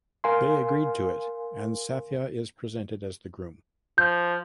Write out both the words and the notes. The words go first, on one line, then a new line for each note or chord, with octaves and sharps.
They agree to it and Sathya is presented as the groom.
A#4 F5 G#5 C6
F3 G6